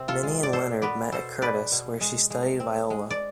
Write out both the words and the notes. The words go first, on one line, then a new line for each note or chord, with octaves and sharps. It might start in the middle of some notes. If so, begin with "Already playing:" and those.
Minnie and Leonard met at Curtis, where she studied viola.
Already playing: C3 C4
F4 A4
G#3
D5
B2 A4 C5
B3 B4 D5
B2 A4 C5
G#3 B4 D5
B2
G#3
G#3
C4
G#3
D5